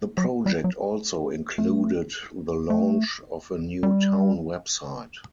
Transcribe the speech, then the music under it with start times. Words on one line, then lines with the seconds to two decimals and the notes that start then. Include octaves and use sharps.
The project also included the launch of a new town website.
0.18 F#3
0.46 G3
0.64 F#3
1.58 A3
2.70 A3
3.83 G3